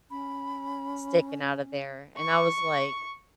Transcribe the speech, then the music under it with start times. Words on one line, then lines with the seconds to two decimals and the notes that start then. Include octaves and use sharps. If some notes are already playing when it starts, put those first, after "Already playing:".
sticking out of there. And I was like
0.11 C#4 B5
2.18 C#6